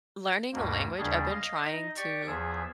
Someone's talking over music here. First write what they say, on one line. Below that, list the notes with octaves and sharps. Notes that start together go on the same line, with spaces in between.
learning a language, I've been trying to
D2 G2 B2 A#3
D#2 C#3 G3 D4 G#4
D#5 F5
D#4 D#5
G4 D5 C#6
E2 F3 G#4 E5